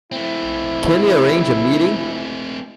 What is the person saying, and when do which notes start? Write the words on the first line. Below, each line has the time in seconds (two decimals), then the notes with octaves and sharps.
Can we arrange a meeting?
0.12 A3 C4 E4